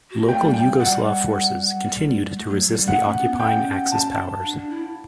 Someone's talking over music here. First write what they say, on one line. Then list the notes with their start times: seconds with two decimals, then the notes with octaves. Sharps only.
Local Yugoslav forces continued to resist the occupying Axis powers.
0.11 F#4
0.28 A3 G5
0.41 G3
0.54 G3 G5
0.79 G3 F#5
1.84 G3
2.36 A3
2.49 F#3
2.61 F#3
2.74 G3
2.87 A3 F#5
3.06 C#4
3.23 B3
3.39 C#4 G5
3.92 A5
4.43 D4
4.57 D4
4.69 E4